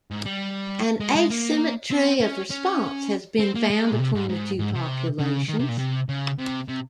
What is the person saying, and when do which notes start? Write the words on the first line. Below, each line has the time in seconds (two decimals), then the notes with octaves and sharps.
An asymmetry of response has been found between the two populations.
0.11 G#2
0.26 G3
1.00 G#3
1.15 G#3
1.30 A#3
1.91 C4
2.20 C#4
2.50 C#4
3.40 C4
3.55 A#3
3.70 G#3
3.92 A#2
3.99 C3
4.15 G#2
4.29 G#2
4.59 G#2
4.75 C3
5.19 C#3
5.49 D#3
5.59 C3
5.69 A#2
5.78 C3
6.09 C#3
6.39 C3
6.69 C3